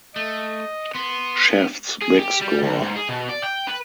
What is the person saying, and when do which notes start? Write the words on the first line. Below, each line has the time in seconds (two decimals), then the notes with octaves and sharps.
Shaft's Big Score!
0.16 A3 D#5
0.95 B3 C6
2.02 G#4
2.20 G4
2.42 G3
2.63 D2
2.82 G#2
2.96 G#4
3.09 B2
3.29 D5
3.44 G5
3.67 B4